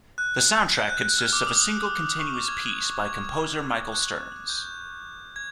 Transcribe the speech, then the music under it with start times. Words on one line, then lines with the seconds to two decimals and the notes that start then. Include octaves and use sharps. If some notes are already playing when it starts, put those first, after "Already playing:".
The soundtrack consists of a single continuous piece by composer Michael Stearns.
0.18 F#6
0.76 G6
0.90 F#6
1.04 F#6
1.19 F6
1.33 D6
1.47 D#6
1.61 D#6
2.19 C#6
2.34 D6
2.48 G#6
3.05 G#6
3.92 F#6
4.50 G6
5.36 G#6